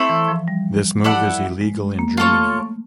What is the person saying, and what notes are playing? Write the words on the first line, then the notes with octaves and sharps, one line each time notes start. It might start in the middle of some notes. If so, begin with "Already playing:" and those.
This move is illegal in Germany.
Already playing: A3 C4 E4 A4
E3
F3
G3
E4 A4 D5 F#5
G#3
A#3
A3 F4 A4 C#5